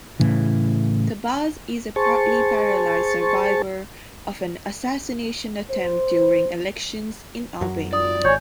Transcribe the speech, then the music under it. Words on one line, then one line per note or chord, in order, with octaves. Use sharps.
Tabaj is a partly paralyzed survivor of an assassination attempt during elections in Albania.
A2 C#3 E3
G#4 C5 A5 C#6
C5
F#2 F#3
F4 D5 D#6
G#1 C#5 G#5 G6